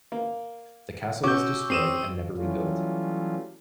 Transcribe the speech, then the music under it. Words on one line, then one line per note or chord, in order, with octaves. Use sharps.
The castle was destroyed and never rebuilt.
A#3
C#4 F#4 C#6 D6 E6 G6
C4 D#6 E6 C7 D#7 E7
E3 F#3 G3 A3 C#4 F4